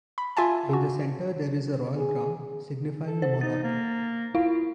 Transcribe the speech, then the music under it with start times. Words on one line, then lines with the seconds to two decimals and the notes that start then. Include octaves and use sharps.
In the centre there is a Royal Crown, signifying the monarchy.
0.18 B5
0.37 F4 E5 G#5 A5
0.69 C#3 F#4
1.96 G#4
3.07 A4
3.22 C5
3.41 D#4 A6
3.63 A#3
4.35 E4 F4 F5